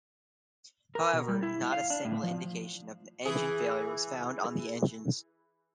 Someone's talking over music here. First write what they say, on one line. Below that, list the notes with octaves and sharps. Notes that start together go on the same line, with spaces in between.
However, not a single indication of an engine failure was found on the engines.
A#4
B2
G3
E4
F5
D4
A2
F3
E3 G#4